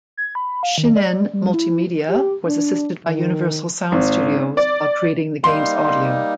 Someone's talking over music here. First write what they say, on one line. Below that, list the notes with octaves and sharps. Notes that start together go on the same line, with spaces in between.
Shin'en Multimedia was assisted by Universal Sound Studios while creating the game's audio.
G#6
B5
F5
D#3
D5
G3
E4
G4
D4
D#3
G#1
D5
G3 A#3 D#4 C6